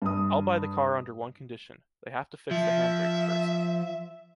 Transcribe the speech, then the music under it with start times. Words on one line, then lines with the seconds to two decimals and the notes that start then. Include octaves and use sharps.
I’ll buy the car under one condition, they have to fix the handbrakes first.
0.02 G2 D#6
2.51 F3 E5